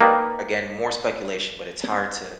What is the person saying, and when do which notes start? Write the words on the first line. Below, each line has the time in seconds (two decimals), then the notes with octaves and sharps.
again, more speculation, but it's hard to
0.01 A#3 D#4 G4 B4 D5 G5